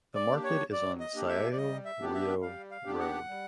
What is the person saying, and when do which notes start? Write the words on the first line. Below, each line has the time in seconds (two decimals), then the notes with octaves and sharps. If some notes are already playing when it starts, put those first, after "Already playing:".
The market is on Sayaji Rao Road.
0.15 D5
0.29 A#3 D4 G4
0.44 C#5
0.72 F#3 D5
1.00 D#5
1.14 A#3 D4 G4
1.29 E5
1.52 D5
1.57 G3 D#5
1.85 E5
1.99 B3 D4 G4
2.14 E5
2.42 G3 F5
2.71 F5
2.85 B3 D4 G4
3.00 F#5
3.28 G3